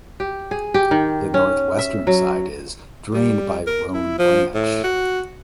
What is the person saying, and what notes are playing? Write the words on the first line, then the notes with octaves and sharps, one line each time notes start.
The northwestern side is drained by Rone Branch.
G4
G#4
G4
D#3
C#4
E5
F#3
G3
A#4
E4
F3
A2
F#4